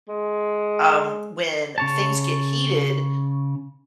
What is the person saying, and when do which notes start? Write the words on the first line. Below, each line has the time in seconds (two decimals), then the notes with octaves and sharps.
Um, when things get heated,
0.09 G#3
1.78 C#3 C#5 A5